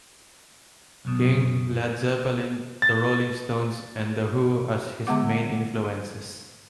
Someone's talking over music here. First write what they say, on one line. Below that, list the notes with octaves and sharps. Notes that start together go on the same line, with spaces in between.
King, Led Zeppelin, The Rolling Stones, and The Who as his main influences.
B1 F#2 B2
A6
D3 G#3 B3 F#5 D6